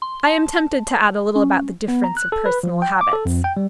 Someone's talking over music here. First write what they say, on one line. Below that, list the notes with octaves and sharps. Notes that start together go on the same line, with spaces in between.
I am tempted to add a little about the difference of personal habits.
C6
A5
C#4
B3
A#5
F#6
A4
B4
F3
G5
D6
A4
F2
G5
G3